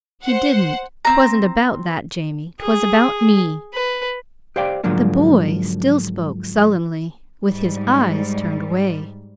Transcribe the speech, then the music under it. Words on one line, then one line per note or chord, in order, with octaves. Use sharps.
"He didn't. 'Twasn't about that Jamie. 'Twas about me." The boy still spoke sullenly, with his eyes turned away.
C5 F#5
C4 A#5
G#4
B4
G4 C5 D5 F5 G5
G#2 D3 F3 F#3 A#3 D4
G#2 G3